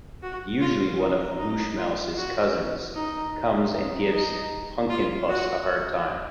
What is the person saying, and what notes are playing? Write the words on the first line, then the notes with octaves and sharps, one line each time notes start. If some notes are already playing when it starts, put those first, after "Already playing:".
Usually one of Mushmouse's cousins comes and gives Punkin' Puss a hard time.
F#4
F4
D#4
D#4
F4
F#4
D#4
D#4
D#4
F4
F#4